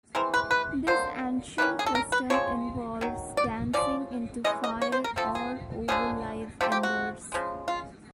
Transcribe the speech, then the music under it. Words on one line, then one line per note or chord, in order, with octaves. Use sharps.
This ancient custom involves dancing into fire or over live embers.
E3 G#3 C4 A#4
B4
B4
D3 F#3 A#3 C5
D#3 G3 A#3 C#4 B4
G#4
A4
A#4
B4
F3 G#3 C4 C#5
D#3 F#3
D5
F3 A#3 C#4 D5
E3 G#3 C#4 D#5
D#5
C#5
C5
A#4
F3 A3 C4 A4
G#4
D3 F3 G#3 C#4 G#4
C3 F3 A3 C4 G4
G4
F#4
C#3 F3 G#3
F4